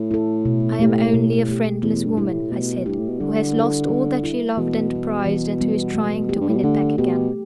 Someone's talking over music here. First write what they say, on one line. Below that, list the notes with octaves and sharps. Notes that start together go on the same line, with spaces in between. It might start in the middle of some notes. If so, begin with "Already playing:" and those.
"I am only a friendless woman," I said, "who has lost all that she loved and prized, and who is trying to win it back again."
Already playing: A2
E4 A4
B2
A3 G4
B2
A3 G4
E2 A3
G2
E4 G4
A2
B2 A3
G2 E4 G4
A2
B2
D3 G3
E4 A4
G3
E4 A4
B2 E3
G3 B3
E3
G3 B3
A3
E2 G4
G2
A2
B2
D3 A3
B2 G4